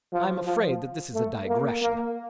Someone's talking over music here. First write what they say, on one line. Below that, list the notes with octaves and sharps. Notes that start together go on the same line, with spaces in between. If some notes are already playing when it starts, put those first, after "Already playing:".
I am afraid that this is a digression.
F3
F3
A3
A#3
A#3